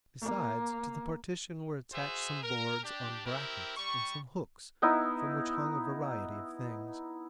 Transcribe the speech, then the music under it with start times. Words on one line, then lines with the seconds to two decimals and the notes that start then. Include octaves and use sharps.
Besides, to the partition were attached some boards on brackets and some hooks, from which hung a variety of things.
0.21 A#3
1.93 F#4 G#4 C5 E5
2.43 A#4
2.83 D4 G4
3.25 C4 E4 G4 A#4
3.76 G3 C#6
4.82 B3 D#4 E4